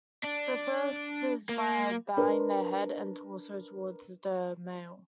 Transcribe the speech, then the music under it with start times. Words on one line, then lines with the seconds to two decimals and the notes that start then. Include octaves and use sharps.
The first is by bowing their head and torso toward the male.
0.24 D4
1.49 A#3
2.17 D4 A#4 B4